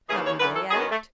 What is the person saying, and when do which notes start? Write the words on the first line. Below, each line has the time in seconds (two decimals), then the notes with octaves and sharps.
How do they act?
0.09 D#2 C#3 E3 G#4
0.24 C#5
0.39 F#2 E3 B4
0.56 A4
0.70 F#2 D#3 G#4
0.80 B3
0.91 A3